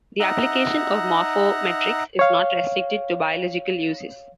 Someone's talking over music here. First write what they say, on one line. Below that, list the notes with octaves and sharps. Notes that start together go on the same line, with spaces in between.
The application of morphometrics is not restricted to biological uses.
D#4 E5 F#5 A#5
C#5 F5